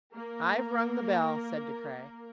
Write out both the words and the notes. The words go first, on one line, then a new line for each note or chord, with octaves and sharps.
"I've rung the bell," said De Craye.
A#3 A#4